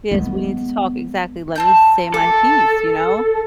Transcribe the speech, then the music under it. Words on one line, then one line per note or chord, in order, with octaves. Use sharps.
Yes, we need to talk exactly, "Let me say my piece," you know.
G#3 B3
C4 A5 G6
A4 D6